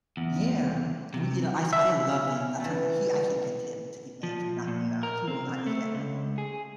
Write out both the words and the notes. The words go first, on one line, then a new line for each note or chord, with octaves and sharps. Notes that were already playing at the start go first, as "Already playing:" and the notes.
Yeah, we eat, uh, I so, I love lamb. That's my fa he, I can't get him to eat lamb for nothing though. He will not eat it,
E2
C3
E5
E3 A3
F3
A#2
A#4
C4
A3
C#2
G#4